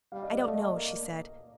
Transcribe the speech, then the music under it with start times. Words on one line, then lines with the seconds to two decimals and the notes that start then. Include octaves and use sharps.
"I don't know," she said.
0.12 G3 F5
0.23 D#5
0.33 D5
0.42 A3 D#5
0.54 D#5
0.59 D5
0.74 A#3